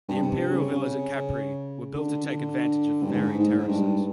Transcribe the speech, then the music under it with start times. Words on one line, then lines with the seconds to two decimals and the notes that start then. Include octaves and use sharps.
The imperial villas at Capri were built to take advantage of varied terraces.
0.09 G2
0.22 C3
0.51 C#3
1.95 D3
2.25 D3
3.03 G2
3.11 G#2
3.39 G#2
3.58 G#2
3.68 G2